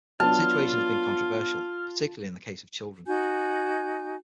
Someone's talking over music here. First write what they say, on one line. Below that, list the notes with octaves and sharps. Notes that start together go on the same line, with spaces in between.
The situation has been controversial, particularly in the case of children.
F#3 B3 D4 F4 A5 F6
D#4 F#4 G#5 G6